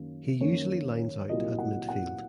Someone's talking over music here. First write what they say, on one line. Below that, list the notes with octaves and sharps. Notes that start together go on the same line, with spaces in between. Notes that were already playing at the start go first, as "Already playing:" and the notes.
He usually lines out at midfield.
Already playing: F#2 D#3 A#3 C#4
F#2 D#3 A#3 C#4 C#5
C2 A#2 F#3 D#5
F#5
F#5